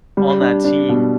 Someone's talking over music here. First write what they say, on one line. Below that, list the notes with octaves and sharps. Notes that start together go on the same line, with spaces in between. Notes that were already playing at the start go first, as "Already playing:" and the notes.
on that team
G3
D4
D4
B2